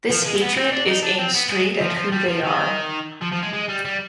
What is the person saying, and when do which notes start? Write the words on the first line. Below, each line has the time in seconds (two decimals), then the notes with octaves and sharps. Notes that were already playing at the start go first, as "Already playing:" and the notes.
This hatred is aimed straight at who they are.
0.10 F3
0.25 G#3
0.35 G#3
0.41 B3
0.56 C4
0.72 D4
0.87 D#4
1.03 D4
1.19 C4
1.34 B3
1.50 G#3
1.81 F3
1.97 F3
2.12 G3
2.28 F3
2.44 D#3
3.22 F3
3.32 F3
3.43 G#3
3.53 G#3
3.69 G3
3.85 G3